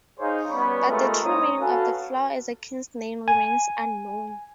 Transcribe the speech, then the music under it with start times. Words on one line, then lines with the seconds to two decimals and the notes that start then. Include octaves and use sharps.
But the true meaning of the flower as a king's name remains unknown.
0.19 D#4 G#4 C5 C#5 F5
0.50 G3 B3 C#4 C#5 B5 C#6
0.88 G#3 A3 B3 F4 G4 A#4
1.25 G3 C4 D#4 C#5 A#5 D#6
1.60 C#4 F#4 A4 B4 F5 G#5
3.28 G#5